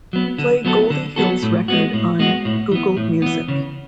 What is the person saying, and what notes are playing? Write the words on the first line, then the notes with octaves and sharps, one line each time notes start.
Play Goldie Hill's record on Google Music.
F#3 B3
D3
F#3 B3 F#4 A4
D3
F#3 B3 F#4 A4
A2
G#3 B3 F#4
A2
G#3 B3 F#4
A2
E3 B3
A2
E3 B3
C#3